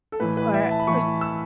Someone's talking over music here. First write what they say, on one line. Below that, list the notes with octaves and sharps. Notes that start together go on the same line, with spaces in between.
Or or
A4
A2 E3 B4
B4
E5
A5
B5
A2 E3 C#6
E6